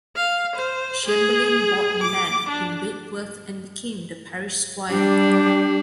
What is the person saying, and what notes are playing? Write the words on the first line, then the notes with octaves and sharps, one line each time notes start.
Chamberlaine bought land in Bedworth and became the parish squire.
F5
C5
G#4
D6
D4
G3 D4 G4